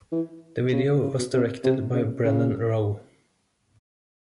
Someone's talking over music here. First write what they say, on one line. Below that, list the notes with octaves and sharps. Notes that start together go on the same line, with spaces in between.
The video was directed by Brennan Rowe.
E3
C#3
C#3
B2
C3
C3
C#3
C#3